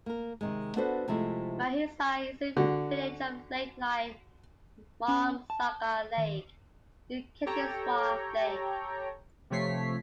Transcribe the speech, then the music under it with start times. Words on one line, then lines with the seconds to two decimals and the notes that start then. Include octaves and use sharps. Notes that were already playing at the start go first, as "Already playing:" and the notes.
Mahisa is a village of lake like Marmsagar Lake, Utkantheswar Lake.
0.06 A#3 A#4
0.41 C3 D#3 G#3
0.76 B3 D4 F#4 A4 B4 C5
1.08 C3 F3 G#3 A3 E4
2.57 D3 F#4
5.08 C#4
5.50 A5
6.17 D#3
7.46 G4 A4 C#5 G5 A#5
9.50 C3 F3 A3 C#5 B6 C7